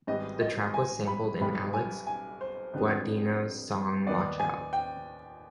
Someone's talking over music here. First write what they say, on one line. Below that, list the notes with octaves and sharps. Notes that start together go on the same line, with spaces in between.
The track was sampled in Alex Gaudino's song Watch Out.
G#1 G#2 G3 B3 D#5
D#5
G#5
B5
B1 B2 G3 B3 B5
G#5
G#5
C5
F2 D3 G3 B3
D#2 D#3 B3 D5
G#5
G5